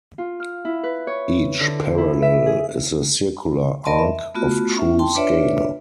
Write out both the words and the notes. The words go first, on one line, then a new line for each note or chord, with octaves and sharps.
Each parallel is a circular arc of true scale.
F4
F6
E4
B4
C#5
D3
C5
E4
E5
G#4
A#4 D5 D#5 A5 B5 C6
E5
A3 B3 F4 F#4
C#4 F4 E5
G5 A5 C6
D4 F4 B4 C#5 D5 E5